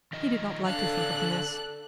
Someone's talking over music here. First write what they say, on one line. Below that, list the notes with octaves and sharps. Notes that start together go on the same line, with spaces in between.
He did not like to think of Mliss.
D#3 F3 D#5
D3 D4 A4 F5 F#6